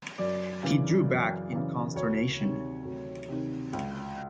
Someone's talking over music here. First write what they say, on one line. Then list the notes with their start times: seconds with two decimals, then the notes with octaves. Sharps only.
He drew back in consternation.
0.18 F#2 D5
0.63 C#3 E3
1.08 F#2
1.52 C#3 E3
1.95 D2 C#5
2.40 C3 D#3
2.85 D2
3.28 C3 D#3
3.73 C#2